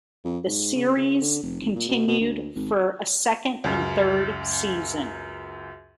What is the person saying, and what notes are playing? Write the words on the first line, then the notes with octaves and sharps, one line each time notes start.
The series continued for a second and third season.
F2
G#2
C#3
C#3
D3
F1
G#1
A#2
B2
B2
D2
G#1
C#2 F#2